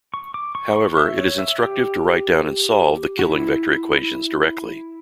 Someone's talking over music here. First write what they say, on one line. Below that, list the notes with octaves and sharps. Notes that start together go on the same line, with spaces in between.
However, it is instructive to write down and solve the Killing vector equations directly.
C#6
D6
C#6
C#6
E5
C#5
E5
G4
F#4
E4